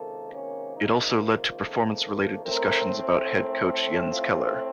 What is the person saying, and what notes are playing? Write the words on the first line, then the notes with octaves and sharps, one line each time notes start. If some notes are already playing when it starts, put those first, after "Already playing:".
It also led to performance related discussions about head coach Jens Keller.
Already playing: C#2 C3 D#3 A#3 A4
C#4
D#4
F4
A4
A2 A3 C4 A#4
C5
A#4
A4
F4